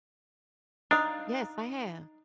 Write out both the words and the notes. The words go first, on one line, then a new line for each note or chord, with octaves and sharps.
Yes, I have.
D4 D#4 F5